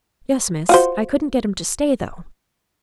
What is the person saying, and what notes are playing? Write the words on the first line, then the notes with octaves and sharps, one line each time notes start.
"Yes, miss, I couldn't get him to stay though."
F4 F#4 C5